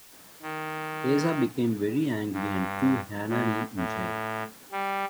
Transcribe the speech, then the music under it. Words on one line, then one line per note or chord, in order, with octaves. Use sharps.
Asa became very angry and threw Hanani in jail.
D#3
G2
A2
A2
G3